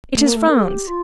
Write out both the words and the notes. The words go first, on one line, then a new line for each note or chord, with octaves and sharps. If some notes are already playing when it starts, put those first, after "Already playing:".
It is France.
A3
A#3
A3
A#4
A4
G4
F4